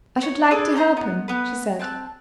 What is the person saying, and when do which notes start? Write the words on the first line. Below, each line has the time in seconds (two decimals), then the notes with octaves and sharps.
'I should like to help him,' she said.
0.23 C#5
0.51 G#4 A4 B4 D5
0.76 C5 A#5 G6
0.97 B3
1.28 B3 B4
1.79 C4 A5 F#6